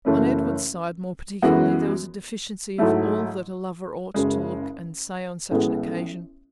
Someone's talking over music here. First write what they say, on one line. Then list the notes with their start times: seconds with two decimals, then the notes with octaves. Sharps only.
On Edward's side, more particularly, there was a deficiency of all that a lover ought to look and say on such an occasion.
0.05 F#1 F#2 E3 A3 C#4
1.42 F#2 E3 G#3 B3 F#4
2.78 G#2 F#3 A3 E4
4.14 F#1 F#2 C#3 G#3
5.51 A1 A2 G#3 B3